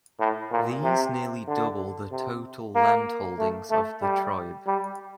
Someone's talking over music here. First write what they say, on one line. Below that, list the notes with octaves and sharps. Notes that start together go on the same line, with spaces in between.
These nearly double the total landholdings of the tribe.
A2
A#2
C3
D3
C3
A#3
A3
A3
G3
G3